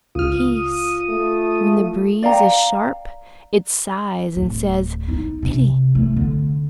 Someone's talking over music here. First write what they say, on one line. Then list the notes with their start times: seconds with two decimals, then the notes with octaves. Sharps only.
Peace!' When the breeze is sharp it sighs and says: 'Pity!
0.15 C#2 F4 D#6 F6
1.09 A3
2.23 D5 F5 G5 A#5
4.36 D1
5.08 D#4
5.42 C3
5.95 A3
6.16 D3